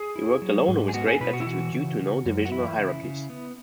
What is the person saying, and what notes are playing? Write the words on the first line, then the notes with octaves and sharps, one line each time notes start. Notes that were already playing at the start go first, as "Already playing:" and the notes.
He worked alone and with great latitude due to no divisional hierarchies.
Already playing: G#4
E4
F#3
G#2
G#4
B3 F#4
G#4
B2 B4
F#4
E4
E3 F#4
C#3
C#3
F#2
F#4
E3 E4
C#3
C#3
B3